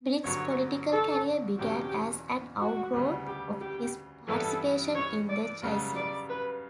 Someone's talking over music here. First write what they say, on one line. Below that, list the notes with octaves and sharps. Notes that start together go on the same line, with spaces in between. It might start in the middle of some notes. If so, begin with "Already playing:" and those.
Briggs' political career began as an outgrowth of his participation in the Jaycees.
G1 G2 D3 F#3 B3 C#5
A4
F#1 E2 B2 F#3 C#4 G4
F#4
D2 C#3 G3 B3
G4
G4
G2 E3 G3 B3 E4 A4
C#5
D5
F#2 C#3 G3 B3
D5
B4